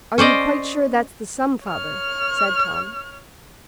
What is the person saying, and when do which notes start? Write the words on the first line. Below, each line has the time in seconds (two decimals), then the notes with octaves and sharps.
"Are you quite sure that's the sum, father?" said Tom.
0.18 C#4 C5 D5 D#5
1.67 C#5 F6